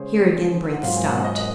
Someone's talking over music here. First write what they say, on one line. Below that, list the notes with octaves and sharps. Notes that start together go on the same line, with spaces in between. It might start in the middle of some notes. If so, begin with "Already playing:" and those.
Here again Braith stopped.
Already playing: C#3 G#3 C#4 G#4 C5 C#5
F#5
G#2 F#3 C4 F4 C5 F5
G#5
F#5
D#5
D#5